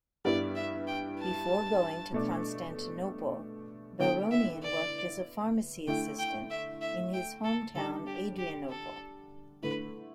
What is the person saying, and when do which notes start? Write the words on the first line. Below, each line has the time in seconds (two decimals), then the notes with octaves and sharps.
Before going to Constantinople Baronian worked as a pharmacy assistant in his hometown Adrianople.
0.25 G2 G3 B3 E4 D5
0.55 E5
0.87 G5
1.19 A5
2.12 B2 A3 D4
3.99 D3 B3 E4 G5
4.31 E5
4.62 D5
5.87 D3 A3 E4 G5
6.19 G5
6.50 E5
6.81 E5
7.13 G5
7.44 A4
7.75 D3 G3 D4 A4
8.07 G4
8.38 G4
8.70 A4
9.62 D3 A3 E4 B4